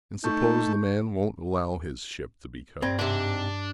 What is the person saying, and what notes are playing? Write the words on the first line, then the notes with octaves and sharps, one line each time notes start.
"And suppose the man won't allow his ship to be cut up?"
A3 D#4 A5 C#6 G6
G2 C4 D5 G#6
G#2 C3 D4